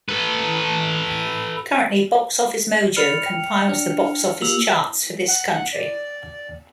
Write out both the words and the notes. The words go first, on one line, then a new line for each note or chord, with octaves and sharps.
Currently, Box Office Mojo compiles the box office charts for this country.
A4 B4
D5 B5 F6 A6 C#7 F7
G5
D4
A#3 F4 G4 E6 F7 F#7
F#5
D5